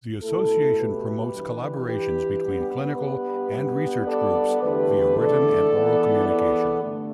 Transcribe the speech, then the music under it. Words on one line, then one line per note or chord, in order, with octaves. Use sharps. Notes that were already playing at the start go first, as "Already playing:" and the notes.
The Association promotes collaborations between clinical and research groups via written and oral communication.
B2 A3 E4 A4
G4 B4
G2 E3 G3
G4 B4
G2 G3 B3
G4 B4
G2 G3 B3
A4 D5
E2 D3 A3 G4 B4
A4 D5
E2 E3 B3
A4 D5
G2 D3 A3